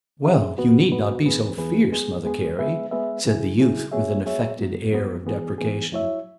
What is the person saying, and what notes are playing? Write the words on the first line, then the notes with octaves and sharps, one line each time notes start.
"Well, you need not be so fierce, Mother Carey," said the youth with an affected air of deprecation.
F#3 C#4 G#4 E5
E2 B2 B3 F#4 B4
E2 B2 B3 F#4 B4
E2 E3 B3 G#4 B4
E2 E3 B3 G#4 B4
G#3 B3 G#4
G#3 B3 G#4
G#3 B3 G#4 B4 E5
G#3 B3 G#4 B4 E5
C#3 F#3 E4 G#4
C#3 F#3 E4 G#4
F#3 B3 G#4 C#5 E5
F#3 B3 G#4 C#5 E5
F#2 F#3 B3
F#2 F#3 B3
E3 B3 G#4
E3 B3 G#4
F#3 E4 C#5 E5